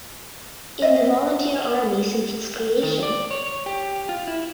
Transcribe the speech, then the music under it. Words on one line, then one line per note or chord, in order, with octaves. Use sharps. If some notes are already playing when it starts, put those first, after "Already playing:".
In the Volunteer Army since its creation.
D#5 E5
D#3
D5
C#5
G4
F4
E4